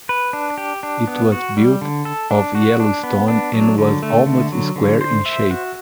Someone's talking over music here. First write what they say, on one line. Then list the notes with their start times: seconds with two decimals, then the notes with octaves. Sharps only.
It was built of yellow stone, and was almost square in shape.
0.09 B4
0.33 D4
0.58 G4
0.83 D4
1.07 B3
1.32 F#4
1.57 G3
1.81 D3
2.05 A4
2.31 D4
2.55 F#4
2.80 D4
3.03 B3
3.28 D4
3.54 F#3
3.78 D3
4.03 A3
4.26 D3
4.52 F#3
4.76 D3
5.01 C5
5.26 E5
5.51 F#4